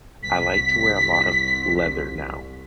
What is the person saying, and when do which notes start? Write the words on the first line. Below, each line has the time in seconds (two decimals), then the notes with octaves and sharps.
I like to wear a lot of leather now.
0.23 C2 B6